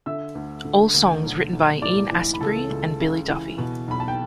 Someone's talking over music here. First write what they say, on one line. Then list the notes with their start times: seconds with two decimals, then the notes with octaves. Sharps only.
All songs written by Ian Astbury and Billy Duffy.
0.06 D3 E5 E6
0.35 D2
0.65 D3
0.94 D2
1.24 B1
1.53 B1
1.82 A2 D5 D6
2.11 E3
2.34 B5
2.41 C#2 A4 A5
2.70 C#2
3.00 C#3
3.28 E3
3.58 B2
3.88 B1 B5
4.00 A5
4.08 G5